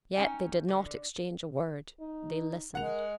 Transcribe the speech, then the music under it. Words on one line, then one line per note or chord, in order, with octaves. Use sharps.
Yet they did not exchange a word; they listened.
C#4 D#4 G5 G#5
D3
D#4
G#3 A#4 F#5 F7